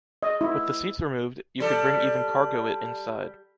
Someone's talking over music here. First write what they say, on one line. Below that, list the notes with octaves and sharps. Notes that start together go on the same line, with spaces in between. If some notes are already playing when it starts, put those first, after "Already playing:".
With the seats removed, you could bring even cargo it inside.
D#5
E4
G3 A4